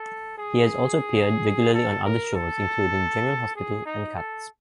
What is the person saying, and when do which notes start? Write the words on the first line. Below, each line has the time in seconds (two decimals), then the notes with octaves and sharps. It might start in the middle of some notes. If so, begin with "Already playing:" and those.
He has also appeared regularly on other shows, including "General Hospital" and "Cuts".
Already playing: A4
0.38 G#4
1.74 A4
2.05 A#4
2.35 A4
3.56 G#4
3.85 D#4
4.16 A4